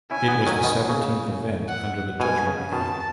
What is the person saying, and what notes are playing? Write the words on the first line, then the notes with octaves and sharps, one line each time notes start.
It was the seventeenth event under the Judgement name.
C#4 E4 G#5
B3 D#4
D#3 F#3
B2 D#3
C#3
F#5
B2 G#5
C#3
B2 D#3 A5